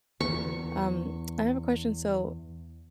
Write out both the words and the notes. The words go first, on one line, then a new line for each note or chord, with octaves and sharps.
Um, I have a question. So,
E2 C#6